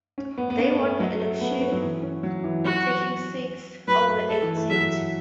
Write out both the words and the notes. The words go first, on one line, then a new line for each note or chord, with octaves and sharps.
They won the elections, taking six of the eight seats.
C#4
B3
B3
C#4
A3
F#3
A3
B3
C#4
B3
F#3
E3
C#4
F#3
E3
F#3 F#4
F#3 B4
A3
A3 A4
E3
A3
F#3 E5